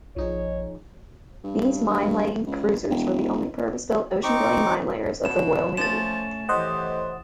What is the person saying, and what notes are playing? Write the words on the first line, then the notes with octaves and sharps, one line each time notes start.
These "minelaying cruisers" were the only purpose-built oceangoing minelayers of the Royal Navy.
A#1 F3 D#4 G#4 C#5
G2
G2
C#2
E1
C4 D#4 C#6 D6
B2 E7
F3 A3 C#4 G#5 A6 E7
A2 E3 G4 C5 D#5 F#5